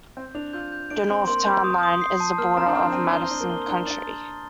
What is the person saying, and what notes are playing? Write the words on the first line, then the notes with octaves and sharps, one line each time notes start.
The north town line is the border of Madison County.
C4 G6
D4 F7
F4 G6
G6
D4 D7
C4 C6
A#3 C6
C4 G6
D#6
D#6
C7
A5
A#3 F6
C4 A#5
D4
C4 F6
D4
C4 D#7
D4 G7
C4
D4 G7
A#3
C4 G7
D4 G7
D4 A6